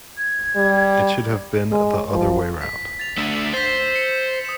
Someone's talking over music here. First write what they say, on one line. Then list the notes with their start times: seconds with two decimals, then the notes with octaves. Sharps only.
It should have been the other way round.
0.18 G#6
0.56 G3
1.72 G#3
2.14 F3
2.61 B6
2.99 A6 F7
3.17 A3 D4 E6
3.53 C5 A6 B6
3.95 C#7
4.45 D#6 E7